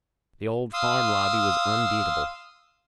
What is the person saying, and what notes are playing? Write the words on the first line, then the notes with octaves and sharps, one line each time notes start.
The old Farm Lobby was unbeatable.
F5 C6 D#6 E6